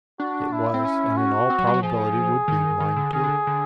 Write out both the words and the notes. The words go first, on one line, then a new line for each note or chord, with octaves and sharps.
It was, and in all probability would be, mine too.
D4 F#4
E4
C4
C#4
F#4
C4
F#3
G3
F#3
F3 G#4
D#3
D#3
D3
D#3 G#4
D3
D3